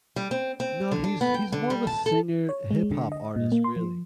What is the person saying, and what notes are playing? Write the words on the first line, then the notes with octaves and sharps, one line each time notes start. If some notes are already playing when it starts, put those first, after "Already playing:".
No, he's he's more of a singer, hip hop artist, really.
G3
C4
C4
D3
D4
B3
G5
D3
G3
A5
A4
C#5
G#3
D3
D#5
A#2
A#3
C6
F3